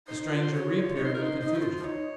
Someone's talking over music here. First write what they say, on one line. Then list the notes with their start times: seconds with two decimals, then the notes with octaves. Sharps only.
The stranger reappeared in the confusion.
0.08 D#4 C5
0.29 F4
0.42 C5
0.52 F#4 C#5
0.74 F4
0.96 D#4 C#5
1.04 C5
1.10 F4
1.14 A#4
1.18 D#4 C5
1.40 D#4 C5
1.55 F#4
1.62 F4
1.76 F4
1.84 D#4 C#5